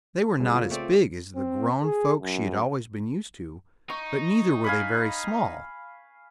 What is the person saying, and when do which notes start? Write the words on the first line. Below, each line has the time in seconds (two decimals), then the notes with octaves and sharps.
They were not as big as the grown folk she had always been used to; but neither were they very small.
0.40 C2 C#3 G#3
0.51 A#2 C#3 F5
0.70 A3 C4 D5
1.35 C4
1.83 G#4
2.22 F#2
3.90 D#4 C#6
4.64 F5 G#5 B5